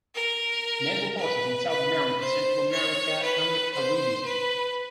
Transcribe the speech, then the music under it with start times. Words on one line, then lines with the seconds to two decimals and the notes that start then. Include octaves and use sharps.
Naval Forces in South America, Central America and the Caribbean.
0.14 A#4
1.18 B4
1.69 B4
2.20 C5
2.72 C#5
3.22 B4
3.74 C5
4.25 B4